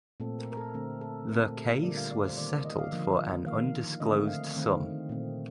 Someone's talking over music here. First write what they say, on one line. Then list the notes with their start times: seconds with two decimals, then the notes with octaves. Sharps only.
The case was settled for an undisclosed sum.
0.20 A#2 A3 C4 A4
0.39 A#4
0.52 A#4
0.57 A4
0.74 D3 A3 C4
1.01 A4
1.28 A#2 A3 C4 A#4
1.42 A4
1.56 G4
1.69 F4
1.83 D3 G3 A#3 D5
1.97 F5
2.11 D5
2.24 C5
2.37 D#3 A#3 D5
2.52 D5
2.65 D#5
2.78 F5
2.92 D3 F3 A#3
3.46 D#3 A#3 F5
4.00 D3 A3 C4 D#5
4.27 F5
4.55 D#3 A3 C4
5.09 A#2 A3 C4